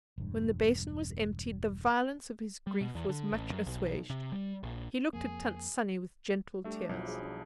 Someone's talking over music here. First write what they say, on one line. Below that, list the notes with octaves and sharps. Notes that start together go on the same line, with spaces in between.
When the basin was emptied the violence of his grief was much assuaged; he looked at Tant Sannie with gentle tears.
E1 G2
G3
B2
E2
D3
A1
F#2
B1
C3
G3
A#1
F2 A#3 G#4
G3 A3 D4 G4 E5
B1 F3 F#3 E4
G#4
D4